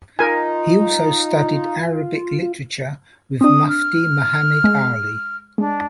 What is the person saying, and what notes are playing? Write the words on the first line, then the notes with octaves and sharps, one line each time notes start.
He also studied Arabic literature with Mufti Muhammad 'Ali.
D#4 F4 A#4 G#5
C4 D4 D#6
F6
G#3
G#3 D4